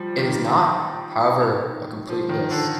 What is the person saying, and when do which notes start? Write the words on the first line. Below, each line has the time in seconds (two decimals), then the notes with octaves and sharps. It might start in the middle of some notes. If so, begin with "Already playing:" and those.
It is not, however, a complete list.
Already playing: F3 G3
0.19 D#3
2.09 F3
2.29 D#3
2.51 D3